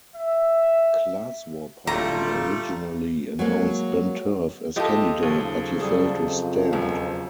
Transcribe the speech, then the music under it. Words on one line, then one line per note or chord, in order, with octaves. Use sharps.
Class War Party originally announced Ben Turff as candidate, but he failed to stand.
E5
D1 D3 G3 A3 F4 A#5
F#3 G#3 A#3
F3 G#3 E4 G4 A4 D#5
D#2 C#3 F3 F#3
G3 G#4 A4
F2
E1 F#2